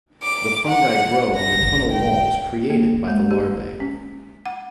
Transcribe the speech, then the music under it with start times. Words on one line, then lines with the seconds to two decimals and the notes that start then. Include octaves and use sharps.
The fungi grow on the tunnel walls created by the larvae.
0.23 D6
0.67 F#5
1.36 A#6
1.91 G5
2.70 A#3
3.08 G#3
3.31 G4
3.80 C#4
4.46 F#5